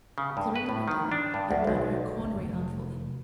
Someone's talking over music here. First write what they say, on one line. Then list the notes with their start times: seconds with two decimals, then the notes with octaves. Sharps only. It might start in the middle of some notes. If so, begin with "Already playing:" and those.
Clorinda went out and brought her cornery armful in.
0.18 C#3
0.37 G2
0.56 B4
0.69 A2
0.88 D#3
1.12 D4
1.34 G2
1.51 D2
1.67 B1
2.20 G1
2.37 F1